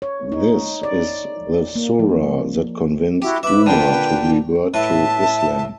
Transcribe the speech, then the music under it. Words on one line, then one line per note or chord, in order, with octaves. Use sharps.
This is the Sura that convinced Umar to revert to Islam.
C#5
D#4
D5
A#3
F3
E4 F#4 G4
B4 E5 B5 D6
A#2 D3 G5
A2 B4 E5 A5